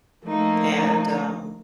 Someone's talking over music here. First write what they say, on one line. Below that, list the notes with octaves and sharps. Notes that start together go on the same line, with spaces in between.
and, um,
F3 A3 A#3 D#4